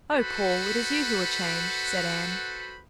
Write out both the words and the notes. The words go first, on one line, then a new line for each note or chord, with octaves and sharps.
"Oh, Paul, it is you who are changed," said Anne.
F#4 A4 B4 C5 F#5 B5